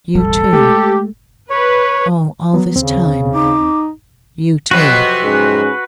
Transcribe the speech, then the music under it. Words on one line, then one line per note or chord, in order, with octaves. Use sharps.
"You too--oh, all this time, you too?"
E1 A1 G3 A4
G#3 A3 G4
B4 C#5
F#3 B3
D#2 C#3 C4
D#4 D6
F2 C3 F#3 F#4 B4
G#2 C#4 G#4